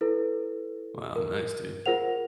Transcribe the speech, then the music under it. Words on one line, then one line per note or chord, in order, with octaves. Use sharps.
Wow. Nice, dude.
E4 A4 B4
A#4
F4 G#4 A#4 C5 F#5 F7